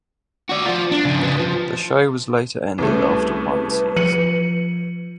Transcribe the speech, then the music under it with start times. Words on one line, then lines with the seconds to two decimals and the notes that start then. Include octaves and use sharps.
The show was later ended after one season.
0.49 F#4 D5
0.66 F3 F4
0.92 D4
1.05 C#3 F3
1.23 C#3 B3
1.39 F3
2.78 C2 C#3 A3 B4
3.97 F3 C#7 D#7 F#7